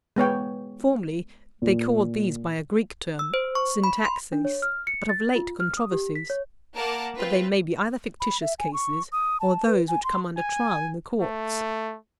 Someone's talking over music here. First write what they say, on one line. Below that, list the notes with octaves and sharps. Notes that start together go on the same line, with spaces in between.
Formerly, they called these by a Greek term, syntaxeis, but of late "controversies;" but they may be either fictitious cases, or those which come under trial in the courts.
G#3 B3 C#5 G5
A#2
E6
C5
C#6
B5
C6
D4
C#5
F6
C#7
A6
F4
F6
D#6
G4
B6
C#5
A#3 A#4 F#5 A5 D6
C4 F4 B4
B5
E5
G#5
C#6
D#6
A5
B4
G#5
C6
G#5
A3